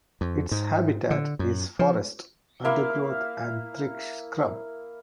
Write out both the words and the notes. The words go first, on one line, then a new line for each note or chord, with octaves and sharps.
Its habitat is forest undergrowth and thick scrub.
F2
G#2
D3
F#2
F3
A#3 E4 F5